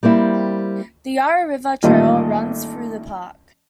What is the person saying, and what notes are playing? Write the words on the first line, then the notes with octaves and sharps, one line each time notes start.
The Yarra River Trail runs through the park.
G3 A#3 C4 E4
A1 A#2 D#3 G3 F4 D#5